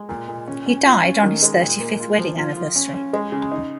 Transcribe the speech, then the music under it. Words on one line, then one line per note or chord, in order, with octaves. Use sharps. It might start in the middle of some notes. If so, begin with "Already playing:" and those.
He died on his thirty-fifth wedding anniversary.
Already playing: G#3
A#2
A#2
C#4
C#4
F4
C#4
D#3
G#3
A#2
A#3
F4
F3
F4
F4
C#4
C#4
G#3
C#3
D#4